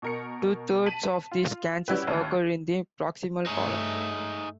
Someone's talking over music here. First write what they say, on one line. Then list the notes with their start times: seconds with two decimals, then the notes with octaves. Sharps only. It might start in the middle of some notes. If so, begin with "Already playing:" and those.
Two-thirds of these cancers occur in the proximal colon.
0.02 B2 A#4 C#7
0.86 A5 B6 D#7 F#7
1.31 F4
1.88 G3 C#4 E4 F#4 G4 B4
2.07 A1 D#2 C#5 A5 D#7
3.46 G2 A3 D#4 G#4 C#5